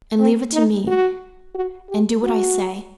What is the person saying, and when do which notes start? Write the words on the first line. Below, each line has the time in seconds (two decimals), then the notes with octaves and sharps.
And leave it to me, and do what I say.
0.19 C4
0.53 D#4
0.87 F#4
1.55 F#4
1.89 G4
2.23 F#4